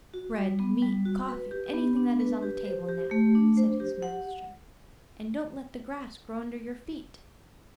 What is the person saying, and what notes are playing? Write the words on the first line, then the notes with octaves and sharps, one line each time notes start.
"Bread, meat, coffee, anything that is on the table, Nap," said his master; "and don't let the grass grow under your feet."
F#4
G3
B3
G3
F#4
B4
G4
B3
D4
B4
G4
C5
G4
A3
D4
C5
G4
F#5